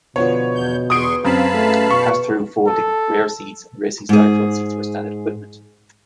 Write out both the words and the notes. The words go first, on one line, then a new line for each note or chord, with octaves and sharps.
Pass-through folding rear seats and racing style front seats were standard equipment.
B2 D3 F3 B3 C#5
E2 G6
E2 B3 G4 G#4 C6 C#6 D#6 D7
F#2 C4 F5 A5 B5
A3 G#4 B4
B2 C#6
A4
G#2 G#4